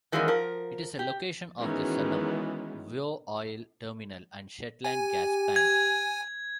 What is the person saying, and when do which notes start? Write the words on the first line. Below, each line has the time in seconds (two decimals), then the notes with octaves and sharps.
It is a location of the Sullom Voe oil terminal and Shetland Gas Plant.
0.12 D#3 E3 F#3 G#3 A#3 C#4
0.28 F3 A#4
0.99 G4
1.59 D#3 E3 G#3 B3 C#4 F#4
4.84 G4 G#5
5.56 G#6